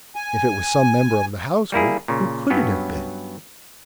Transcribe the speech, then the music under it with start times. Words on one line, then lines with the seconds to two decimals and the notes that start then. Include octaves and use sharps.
If it was some member of the household, who could it have been?
0.16 G#5
1.72 G3 A#3 E4 G#4
2.08 A#2 C#3
2.50 G2 F#3 B3 C#4